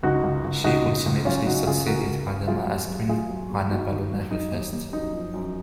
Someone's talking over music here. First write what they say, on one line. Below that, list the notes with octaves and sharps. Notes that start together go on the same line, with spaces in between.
She ultimately succeeded Radama as Queen Ranavalona the First.
C#2 D#4 F#4
C#2
C#2
C#2 D#4 F#4
C#2
C#2
F#3 C#4 F4
C#3 D#4 F#4
C#2 F4 G#4
C#2 F#4 A#4
C#2
C#3
F#3 F4 G#4
D#2
F#3
D#2 F4 G#4
F#3
D#2
D#2 D#4 F#4
D#3
F#3
F#3 D#4
D#2
D#2
F#2 D#4
F3
F#2